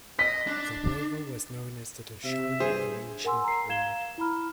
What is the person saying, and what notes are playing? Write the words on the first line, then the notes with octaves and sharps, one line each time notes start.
The river was known as the "Dasharna" in ancient period.
D#5 B6
D4
C3 E5
G2 G#4 C5
A#4 F#5 G#5 C6 E6
A#5 C7
F5 G#6 E7 G7
E4 A#5 B5 F6